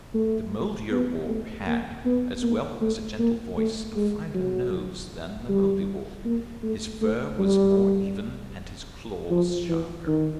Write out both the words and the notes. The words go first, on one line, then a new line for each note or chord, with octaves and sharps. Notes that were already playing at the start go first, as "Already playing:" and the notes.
The Mouldierwarp had, as well as a gentle voice, a finer nose than the Mouldiwarp, his fur was more even and his claws sharper.
A3
B3
A3
A#3
B3
A#3
A3
A#3
A3
G#3
F#3
G3
A#3
A3
A3
G3
F3
E3
D#3